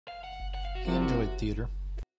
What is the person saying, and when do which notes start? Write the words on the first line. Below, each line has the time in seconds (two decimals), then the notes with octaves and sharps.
He enjoyed theatre.
0.08 F5
0.24 F#5
0.54 F#5
0.65 F5
0.75 F#4
0.85 C2 C3 F#4
0.94 F4
1.02 F#4